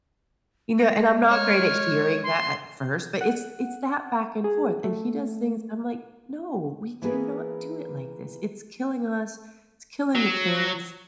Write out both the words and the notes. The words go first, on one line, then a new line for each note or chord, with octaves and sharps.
you know, and I'm not great at hearing that at first, but it's it's that back and forth, and he does things, I'm like, "No, we cannot do it like this, it's killing us, it's killing the kids.
G#3 A#6
C#5 F6
C6
F#5
G#4
A3
E3 A#3 B3 G#4 B4
F#3